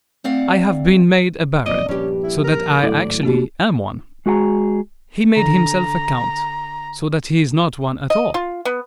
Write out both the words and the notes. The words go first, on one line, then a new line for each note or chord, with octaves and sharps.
"I have been made a baron, so that I actually am one; he made himself a count, so that he is not one at all."
A3 C4 D5 F5 F#5
B1 F2 A#2 D5 D#5
A#1 G2 C#4 G4
E4
A#4
G#1 A2 F#3 E4 A4 D5
A#3 D4 F#4 G4
G#3 F#4 G#4 G5 A#5
D3 A#5
D#5
F4
B3